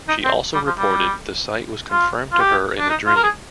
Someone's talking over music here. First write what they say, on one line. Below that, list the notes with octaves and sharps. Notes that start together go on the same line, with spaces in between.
She also reported the site was confirmed to her in a dream.
D#4
C4
G3
F3
G3
F4
F4
G4
D4
D#4
F4
A#4
G#4